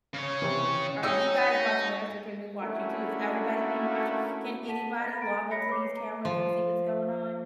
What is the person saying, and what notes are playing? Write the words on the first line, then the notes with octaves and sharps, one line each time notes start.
"Are you guys watching us, or can we watch you too? Is everybody being watched? Can anybody log on to these cameras and see what's going on?
C#3 C#5
C3 E3
C#4 D#4 F#4 G5 D#6 E6
A3 C#4 D4 E4 F#4 A#4
A4 F#5 A5 B6 D#7
D#5 A#5 B5 A6 A#6
A#5 A6 D7
C#5 D#5 B5 A#6 B6 C#7
B4 C#5 D6 C7
A#5
F3